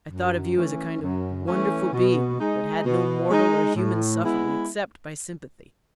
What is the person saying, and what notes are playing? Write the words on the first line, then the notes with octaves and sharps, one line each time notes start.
I thought of you as a kind of wonderful being that had no mortal or human suffering except by sympathy.
F#2
E3 A3 C#4
F#2
E3 A3 C#4
B2
G#3 D#4
B2
G#3 D#4
A2
G#3 B3 E4